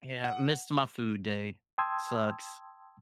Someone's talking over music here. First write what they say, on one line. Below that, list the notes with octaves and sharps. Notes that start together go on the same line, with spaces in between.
yeah, missed my food day. Sucks.
F#5
G5 A5 C6 D#6 E6 G#6